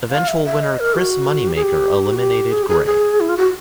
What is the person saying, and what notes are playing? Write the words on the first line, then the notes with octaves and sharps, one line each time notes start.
Eventual winner Chris Moneymaker eliminated Grey.
F5
E5
E5
D#5
A#4
F#4
G4
G#4
G4
F#4
G4
G#4
G4
G#4
G#4
E4
F4
F#4